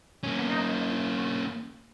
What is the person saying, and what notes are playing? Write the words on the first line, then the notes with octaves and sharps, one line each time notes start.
and now we don't even talk.
A#3 C#4